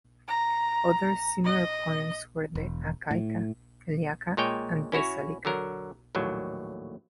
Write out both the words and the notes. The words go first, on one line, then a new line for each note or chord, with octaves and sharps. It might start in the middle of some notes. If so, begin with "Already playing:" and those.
Other similar poems were the "Achaica", "Eliaca", and "Thessalica".
A#5
D#5
E1
A2
A#2 G#3 C#5 G5
C#4 E4 F#4 C#5
D3 F#3 A#4
A#1 D#2 A2 F#3